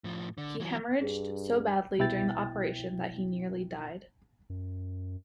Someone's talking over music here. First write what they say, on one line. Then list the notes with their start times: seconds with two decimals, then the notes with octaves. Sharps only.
He haemorrhaged so badly during the operation that he nearly died.
0.04 A2 F3
0.38 D3
0.60 E3 F#3
1.01 G2 G#4
1.98 C2 B2 E4 G5 A6
4.50 F#2